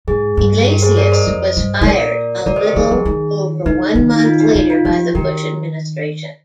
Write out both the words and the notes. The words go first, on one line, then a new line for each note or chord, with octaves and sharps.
Iglesias was fired a little over one month later by the Bush Administration.
G#2 G#4
G2
G4 A#4
G#4 C5
A#4 D5
C5 D#5
F2
G2
G#2
A#2 A#4 D5
D3 A#4 D5
C5 D#5
G4 A#4
D#3 G#4
F3
D#3
D3 D#4
D#3
D#4
F4
D#4
D3 D#4
F4
F3 G4
D#3 G4 A#4